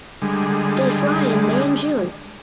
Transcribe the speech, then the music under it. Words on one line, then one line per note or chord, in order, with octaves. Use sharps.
They fly in May and June.
D3 G3 G#3